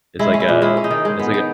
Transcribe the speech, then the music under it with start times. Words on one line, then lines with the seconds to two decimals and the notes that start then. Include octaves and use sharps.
it's like a it's like a
0.19 G#3 E4
0.34 C#4
0.40 E4
0.48 A#2
0.62 G#3 E4
0.77 C#4
0.84 D#4
0.91 D#3
1.05 G#3
1.19 B3
1.34 D#3